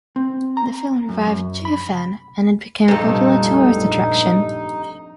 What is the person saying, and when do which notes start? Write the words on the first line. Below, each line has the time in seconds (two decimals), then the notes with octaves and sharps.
The film revived Jiufen, and it became a popular tourist attraction.
0.16 C4
0.57 A#5
1.09 F#2
1.26 F#2
1.65 B5
2.88 F1 A#1 G2 C3 G3 D#4 A4